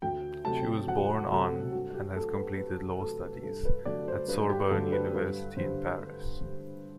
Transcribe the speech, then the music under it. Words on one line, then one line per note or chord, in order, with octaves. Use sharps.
She was born on, and has completed law studies at Sorbonne university in Paris.
D2 G5
C3 F#3 A3 A5
D2 F#5
C3 F#3 A3 A4
G2 F#4
G4
F#3 A3 A4
B4
G2 B4
F#3 A3 A4
G2 A4
B4
D3 F#3 A3 D5
C5
G2 B4
G4
D3 F#3 A3 A4
B4
G2 B4
D3 G3 C5
G2
D3 G3